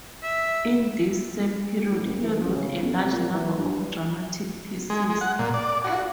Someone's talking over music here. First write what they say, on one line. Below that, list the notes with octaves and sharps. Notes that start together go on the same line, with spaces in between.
In this same period he wrote a large number of dramatic pieces.
E5
A2
F#1
E3
A1
C#3
C#3
G1
C3
A#2
E3
G2
G#3
G#3
F#5
A#2
D5
F#4